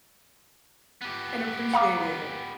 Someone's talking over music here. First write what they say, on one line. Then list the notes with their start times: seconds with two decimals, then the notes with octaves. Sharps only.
and appreciate it.
1.01 B3 G4
1.74 F5 A#5 D6